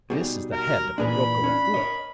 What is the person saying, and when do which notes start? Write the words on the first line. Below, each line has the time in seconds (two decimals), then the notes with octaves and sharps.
This is the head of a Rokuro-Kubi.
0.10 B2 G3 D#4 G#4
0.53 A#4
0.98 A#2 E3 D4 G#4 A#4 B5
1.44 C#4 D4
1.74 A#4 C#5 D#5